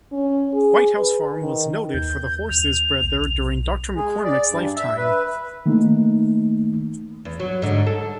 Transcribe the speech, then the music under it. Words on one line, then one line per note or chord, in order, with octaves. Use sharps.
White House Farm was noted for the horses bred there during Doctor McCormick's lifetime.
C#4
G#4
B4
D#3
D#2 G6
D#2 F7
B1
G#3
D5
G2
E5
B4
D#3 A3 A#3 D#4
E2
F#3
G#2 D3
A4